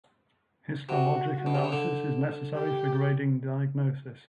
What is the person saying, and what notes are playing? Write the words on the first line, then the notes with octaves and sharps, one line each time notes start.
Histologic analysis is necessary for grading diagnosis.
C3 F#4
B2
C3
C#3
D3
G4